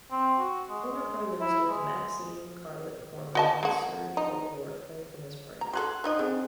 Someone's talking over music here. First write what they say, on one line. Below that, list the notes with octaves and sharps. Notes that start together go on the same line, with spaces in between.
Former prime ministers Maxime Carlot Korman and Serge Vohor came from this party.
C4
F#4
G#3
E4
G#3
F#4 D#5 A5
G#3 A#3 F#4
D#4
A#5
F#4 G#4 A4 C6 F#6
F3 D#4 D#5
D3 C4 G#4